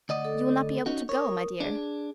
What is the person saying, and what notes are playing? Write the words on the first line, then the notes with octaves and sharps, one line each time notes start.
"You will not be able to go, my dear."
D2 D5 D#5 F#5
A4
C#4 D#4 F#4
A#4 C#5 D#6
D4 G#4